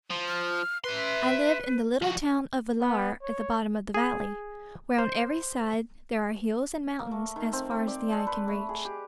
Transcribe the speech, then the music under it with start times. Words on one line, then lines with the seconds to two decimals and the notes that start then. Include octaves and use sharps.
I live in the little town of Villar at the bottom of the valley, where on every side there are hills and mountains as far as the eye can reach.
0.10 F3
0.28 F6
0.84 B4 E5 C6
2.02 F3 F#4
2.80 B3
3.23 C#5
3.94 G#4
4.99 C5
6.99 A#3
7.11 A3
7.36 D#3
7.53 C4
7.71 C4
7.87 D5
8.13 A4
8.27 B4
8.48 A3
8.69 G#4
8.85 G4